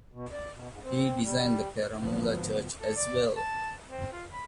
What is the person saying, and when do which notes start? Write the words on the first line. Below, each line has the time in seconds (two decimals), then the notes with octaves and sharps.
He designed the Parumala Church as well.
0.13 B2
0.32 D5
0.53 B2
0.71 G#2
0.83 C4
1.23 G3
2.00 G#1 D2 F3 F#3 B3
2.79 A4
2.97 D5
3.37 A5
3.89 C4
4.12 F4
4.32 B5